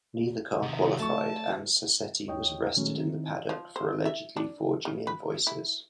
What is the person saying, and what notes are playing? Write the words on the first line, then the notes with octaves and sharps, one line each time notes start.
Neither car qualified and Sassetti was arrested in the paddock for allegedly forging invoices.
C3 D#3 D#5
A3 A5 C#6
D#2 C#5 D#5 G5
A#2 D#3 F#3 G#3 A3 C#4
D#3 C4 D#4 E4
F3
C5
E5
D4
C#3
B4
E4